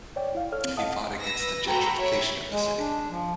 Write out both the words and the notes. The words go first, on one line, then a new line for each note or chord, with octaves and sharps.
He fought against the gentrification of the city.
C#5 D5 G5
E4 F5
A4 C#5 F6
C4
D#5 F5 F#5 A5 D#6
B4 E6 A#6
F#4 A4 G5 A#5 B5
C#5 E5 B5
G#3
D4
F3